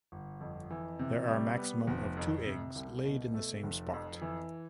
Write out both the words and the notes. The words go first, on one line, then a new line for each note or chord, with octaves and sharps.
There are maximum of two eggs laid in the same spot.
G1
F2
E3
C3
G3
B3
F1
F2
C3
C2
B2
A3
F1
F2
E3